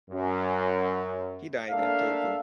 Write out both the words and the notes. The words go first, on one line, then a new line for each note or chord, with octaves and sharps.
He died in Turku.
F#2
A3 A#3 D4 A4 E5 F5